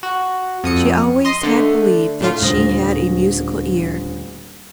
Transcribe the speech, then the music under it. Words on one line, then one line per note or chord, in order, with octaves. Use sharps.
She always had believed that she had a musical ear.
F#4
F2 D#6 C#7
D#5 C6
D3 A3
A2 A3 D4 F4
D#1 D2 C5 D#6 A#6